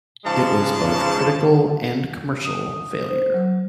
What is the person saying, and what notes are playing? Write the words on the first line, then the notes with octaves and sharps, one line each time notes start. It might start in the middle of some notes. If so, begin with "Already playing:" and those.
It was both critical and commercial failure.
G#2 C#3 F3 G#3 A5
D#6
D#6
C5
F#3